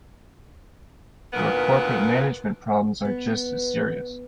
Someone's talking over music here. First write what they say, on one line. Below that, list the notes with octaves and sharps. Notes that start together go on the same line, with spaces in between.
Your corporate management problems are just as serious.
D2 A#2 B3 D#4 A#4 B4
B3